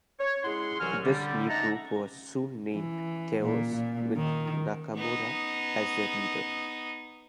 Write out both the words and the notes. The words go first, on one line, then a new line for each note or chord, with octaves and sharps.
This new group was soon named Chaos with Nakamura as their leader.
C#5
G#3 E4 F#5 C6
C2 E3 F#3 F#4 G#5 F6
D3 G3
D#4 E5 F#5 A5 A#5
E3
A#2
A#2
D#3
B3 D#4